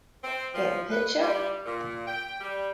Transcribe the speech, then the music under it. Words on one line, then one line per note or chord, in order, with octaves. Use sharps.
Get the Picture?
C4
F3
B4
G3
A#2
G5
G3